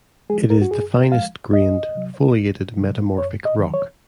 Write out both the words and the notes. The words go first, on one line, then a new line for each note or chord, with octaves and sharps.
It is the finest grained foliated metamorphic rock.
F3 G#3 G#4
A#4
F#4
F#2 G#4
F3 G#3 F5
C2 D#5
C3 F#3
C2
C3 F#3
F#2 C#5
D#5
D#3 F#3
C#5